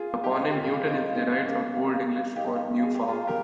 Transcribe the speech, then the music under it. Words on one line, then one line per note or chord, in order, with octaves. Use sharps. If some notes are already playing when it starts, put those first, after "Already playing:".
The toponym "Newton" is derived from the Old English for "new farm".
Already playing: F4 G#4
F5
D#4 G4
G4
C#4 F4 F5
C4 D#4
C4 D#4
A#3 C#4
D#4 G4
G#4
G4
F4 G#4
G4 A#4 F5